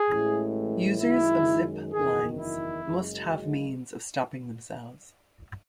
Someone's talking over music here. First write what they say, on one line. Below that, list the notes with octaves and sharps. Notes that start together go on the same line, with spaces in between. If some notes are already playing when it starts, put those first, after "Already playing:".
Users of zip-lines must have means of stopping themselves.
Already playing: G#4
A1 A2 E3 G#3
F#2 D#3 G#3 E4
F#1 E2 D#3 G#4
E4
F#1 F#2 C#3 G#3